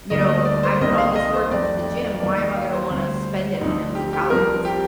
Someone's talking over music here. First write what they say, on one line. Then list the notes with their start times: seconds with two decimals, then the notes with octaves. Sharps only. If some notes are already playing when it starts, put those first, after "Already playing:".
you know, "I put all this work into the gym, why am I gonna wanna spend it on empty calories?"
0.10 D2 D3 G3 A#3 D#5
0.28 D#5
0.45 D5
0.63 C5
0.81 C2 C3 D#3 A#3 D#5
0.98 F5
1.16 D#5
1.34 C5
1.50 F2 D#3 A3 D5
2.20 D#2 D#3 A#3 D5
2.38 D#5
2.56 F5
2.73 C5
2.91 D2 C3 G3 C4
3.61 D2 D3 F3 C4 D#4
3.95 G4
4.13 G4
4.30 C2 C3 F3 C4 A#4
4.65 G4